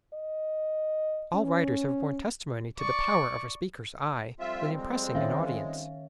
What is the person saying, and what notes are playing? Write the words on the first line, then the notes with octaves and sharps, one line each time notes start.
All writers have borne testimony to the power of a speaker's eye in impressing an audience.
D#5
C#4
D5 C#6
F2 G3 C4 F4 E5
G#3
D#3 C#4 E5 F5